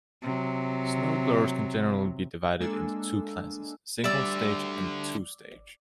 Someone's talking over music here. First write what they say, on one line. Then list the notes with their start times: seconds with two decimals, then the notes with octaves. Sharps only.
Snow blowers can generally be divided into two classes: single-stage and two-stage.
0.22 C3 F#3
2.60 G#3 A#3 D4 A4 G#5 E6
4.04 D3 G3 D5 E5 E6